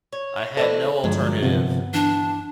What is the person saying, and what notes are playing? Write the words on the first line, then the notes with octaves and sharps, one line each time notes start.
I had no alternative.
C#5
E3 A3 D4 A4 C5
G2 D3 F3 F#3 G#3
C3 F3 B3
E3 D4